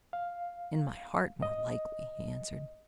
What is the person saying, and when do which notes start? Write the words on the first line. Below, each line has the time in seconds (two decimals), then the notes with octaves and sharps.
"In my heart, more likely," he answered.
0.13 F5
1.42 D#5